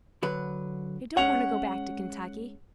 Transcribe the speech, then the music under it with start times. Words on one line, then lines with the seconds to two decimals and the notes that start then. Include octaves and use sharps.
I don't want to go back to Kentucky!
0.23 D3 F#3 B4
1.17 G#3 C#4 C#5 F#5 F7